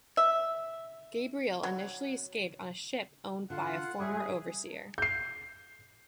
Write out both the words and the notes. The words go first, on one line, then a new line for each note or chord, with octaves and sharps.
Gabriel initially escaped on a ship owned by a former overseer.
E5
F#3
D3 F4 F#5
G3 G#4 C#5 E5
G6 C7